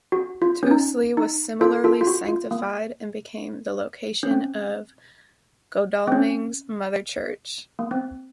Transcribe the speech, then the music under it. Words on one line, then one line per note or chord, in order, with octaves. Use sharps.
Tuesley was similarly sanctified and became the location of Godalming's "mother church".
F#4
F4
C#4
D#4
D#4
F4 A4
F4 A4
F4
F#4
F4
A#3
C#4
C4
C4
C#4
A#3
C4